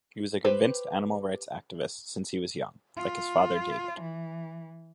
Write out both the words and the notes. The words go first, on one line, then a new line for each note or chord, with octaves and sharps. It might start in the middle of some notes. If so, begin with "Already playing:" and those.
He was a convinced animal-rights activist since he was young, like his father David.
G4 B4 C5
F4
E3